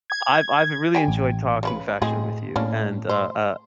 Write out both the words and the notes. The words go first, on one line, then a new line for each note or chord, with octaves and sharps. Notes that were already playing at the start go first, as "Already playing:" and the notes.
I've I've really enjoyed talking fashion with you, and, uh, uh,
G#6
G4 G5 G#5
A1
C#3 E4 B4
A2 G#3 C4 G#4
A2 A#3 C#4 D4
C5